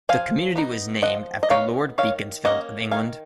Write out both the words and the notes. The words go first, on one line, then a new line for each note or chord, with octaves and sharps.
The community was named after Lord Beaconsfield of England.
F3 F5 G#5
B3 D#4
F3 D#5 F#5
D#5
B3 D#4 C#5 F5
D#3 C#5 F5
A#3 C#4 D#5 F#5
D#3 F5 G#5